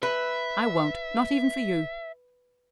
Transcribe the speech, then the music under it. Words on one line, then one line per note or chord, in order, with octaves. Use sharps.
I won't, not even for you.
B4 E5